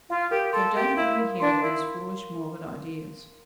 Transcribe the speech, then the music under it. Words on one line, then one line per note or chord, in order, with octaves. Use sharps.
So don't let me hear of these foolish morbid ideas.
F4 F5
G4 A#4
A4 C6
G4 A#4
E4 F5
A#4
D4 C6
E4 A#4